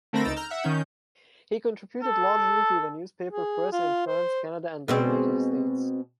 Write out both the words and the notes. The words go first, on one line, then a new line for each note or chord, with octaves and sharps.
He contributed largely to the newspaper press in France, Canada, and the United States.
D3 A3 C4 A#4 B5 A#6
C#2 D#4 E6 A6 D7
A#5 F6 G6
E5 F#5
D#3 C#4 D#4 G6
A4
G#4
F4
C5
B2 G#3 C4